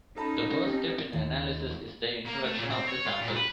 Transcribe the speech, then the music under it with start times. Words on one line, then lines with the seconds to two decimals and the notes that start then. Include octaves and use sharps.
The first step in analysis is the introduction of the sample.
0.16 C#4 D#4 A4 A5 B5
0.66 B3 C4 G4
1.13 D#2
2.26 A#3
2.44 A3
2.58 A#2
2.70 C4
2.88 C#5
3.06 F4
3.21 A#2
3.36 B4